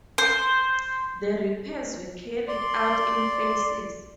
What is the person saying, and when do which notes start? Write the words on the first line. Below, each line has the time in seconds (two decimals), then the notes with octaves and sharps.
The repairs were carried out in phases.
0.18 C5
2.48 D5 C6